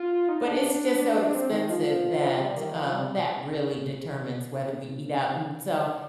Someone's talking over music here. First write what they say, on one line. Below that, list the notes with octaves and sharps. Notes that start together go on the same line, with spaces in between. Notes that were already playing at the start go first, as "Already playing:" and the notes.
But it's just so expensive that, um that really determines whether we eat out. And so,
Already playing: F4
D#4
D#4
D4
C4
D#3
F3
G3
D#3
F3
G3